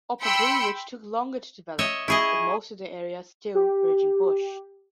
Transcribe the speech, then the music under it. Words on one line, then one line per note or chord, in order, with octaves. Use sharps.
Upper Greenwich took longer to develop, with most of the area still virgin bush.
G5 B5 C6 E6 C#7
C#5 D#5 E5
E4 G#4 D#5 C#6
G4